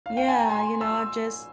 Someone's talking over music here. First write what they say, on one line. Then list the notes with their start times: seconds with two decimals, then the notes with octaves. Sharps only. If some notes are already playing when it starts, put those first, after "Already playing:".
Yeah, you know, I just
0.06 F5
0.17 G5
0.28 G#5
0.38 A#5
0.49 G#5 C6
0.81 C6 E6